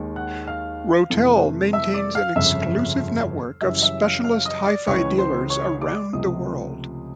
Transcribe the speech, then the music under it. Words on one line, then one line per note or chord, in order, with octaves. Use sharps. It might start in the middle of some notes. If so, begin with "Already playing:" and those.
Rotel maintains an exclusive network of specialist hi-fi dealers around the world.
Already playing: D#2 D#3 G#3
F#5 F#6
F5 F6
F2 C3 E3 A3
E5 E6
D5 D6
F5 F6
G1 F2 C#3 F3 E5 E6
F#2 C#3 E3 G3 E5 E6
E5 E6
F5 F6
F5 F6
D#5 D#6
D5 D6
C#2 C#3 E3 C#5 C#6
C5 C6
C#5 C#6
D5 D6
C#2 C3 F3 A3 D#5 D#6